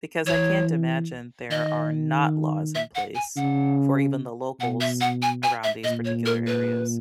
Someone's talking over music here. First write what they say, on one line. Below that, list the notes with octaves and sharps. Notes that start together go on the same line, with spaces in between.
because I can't imagine there are not laws in place for even the locals around these particular areas.
E3 C#5
D#3 D#5
E5
F#5
G#5
C#3 F#5
B2 F#5
E5
F#5
G#5
G#5
E5
A#2 D#5
C#5
A#4
B4